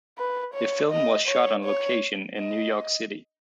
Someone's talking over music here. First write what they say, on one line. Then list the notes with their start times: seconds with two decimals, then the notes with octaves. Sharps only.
The film was shot on location in New York City.
0.18 B4
0.54 C#5
0.91 D#5
1.28 C#5
1.65 C#5
2.38 D#5